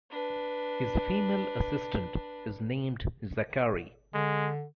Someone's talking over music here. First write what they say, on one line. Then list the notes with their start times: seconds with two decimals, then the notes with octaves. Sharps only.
His female assistant is named Zachary.
0.10 D4 B4
4.14 D3 G#3